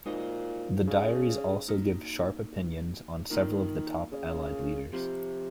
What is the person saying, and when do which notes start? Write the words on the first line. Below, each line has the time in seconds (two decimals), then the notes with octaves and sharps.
The diaries also give sharp opinions on several of the top Allied leaders.
0.06 A#2 G#3 D#4 F#4 C5 D#5
0.87 C#3
1.68 A#3 D#4 F#4
3.30 D#3 A#3 F4 A#4
4.12 C#3
4.93 C3 F3 C4 F4